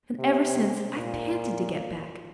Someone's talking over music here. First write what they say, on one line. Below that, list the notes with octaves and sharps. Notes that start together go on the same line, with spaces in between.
And ever since, I've panted to get back.
C3
A#2